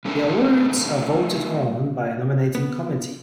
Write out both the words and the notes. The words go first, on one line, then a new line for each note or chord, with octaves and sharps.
The awards are voted on by a nominating committee.
G3 A3 C#4 D4 A#4
B3